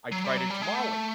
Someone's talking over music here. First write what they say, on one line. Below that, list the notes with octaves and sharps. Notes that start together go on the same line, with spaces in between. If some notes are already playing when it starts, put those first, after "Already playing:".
I tried a tamale,
F#3
G3
F#3
G3
G#3
A3